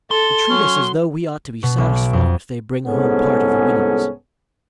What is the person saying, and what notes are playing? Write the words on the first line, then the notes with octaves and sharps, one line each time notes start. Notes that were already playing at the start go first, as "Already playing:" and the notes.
And treat us as though we ought to be satisfied if they bring home part of the winnings.
A4 C6
F#3 C#4
B2
B1
D7
F2
C2 G#2 B3 C#4 G#4 A4